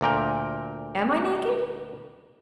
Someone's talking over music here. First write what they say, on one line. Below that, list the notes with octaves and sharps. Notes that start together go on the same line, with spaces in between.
'Am I naked?
D2 A#2 A#4 G5